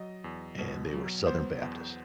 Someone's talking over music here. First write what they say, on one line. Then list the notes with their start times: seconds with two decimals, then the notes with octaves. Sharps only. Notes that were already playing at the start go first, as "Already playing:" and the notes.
and they were Southern Baptists.
Already playing: F#3 D#5
0.24 E2
0.59 B2
0.93 F#3
1.27 B3 C5
1.62 E2